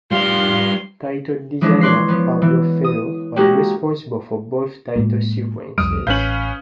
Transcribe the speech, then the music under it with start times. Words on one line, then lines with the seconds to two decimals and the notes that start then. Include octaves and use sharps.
Title designer Pablo Ferro was responsible for both title sequences.
0.12 G3 F4 F5 C6
1.61 E3 F3 G#3 C#4 D4
1.81 C#5 D5 C6 F#6 B6 C7
2.08 F3 B3
2.42 E3
2.84 D#6
3.36 G#3 A#3 C#4 F#4 G4
4.96 A2 G#3 A#3
5.78 C2 F2 G3 D#6 F6 D7
6.07 A1 C#4 B4 F5 G6 F#7